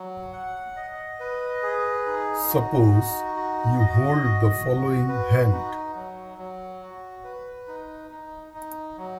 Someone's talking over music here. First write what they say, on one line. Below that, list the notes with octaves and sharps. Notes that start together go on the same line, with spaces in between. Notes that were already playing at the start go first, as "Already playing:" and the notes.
Suppose you hold the following hand.
Already playing: F#3
F#5
D#5
B4
G#4
D#4
F#4
D#4
F#4
D#5
F#4
F#4
B4
D#4
F#3
F#3
F#4
B4
D#4
D#4
D#4
F#3